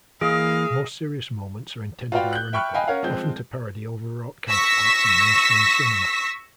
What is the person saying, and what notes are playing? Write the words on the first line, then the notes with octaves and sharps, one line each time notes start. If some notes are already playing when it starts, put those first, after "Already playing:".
Most serious moments are intended ironically, often to parody overwrought counterparts in mainstream cinema.
E3 A#3 G#4 D#5 F5
F4 F#4 B4 D5 F5 G5
F#6 G6
E5 G5 B5 C#6 F6 F#6
D#5 F5 G5 G#5 B5
C#4 A#4 C#5 F5 F#5
F3 G#3 C4 G6
C#6 E6 A#6 B6